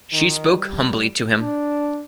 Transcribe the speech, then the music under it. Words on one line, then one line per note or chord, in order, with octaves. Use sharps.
She spoke humbly to him.
D#3
G3
D4